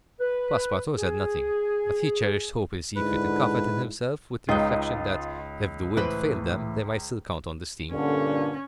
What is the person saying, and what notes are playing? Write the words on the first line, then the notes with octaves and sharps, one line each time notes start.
Passepartout said nothing; but he cherished hope in secret, and comforted himself with the reflection that, if the wind failed them, they might still count on the steam.
B4
G#4
G#2 D3 E4 B4
C#2 D#4 F4 G5 D#6
A2 E3 B4 C5 B5
G2 A#2 D3 C#4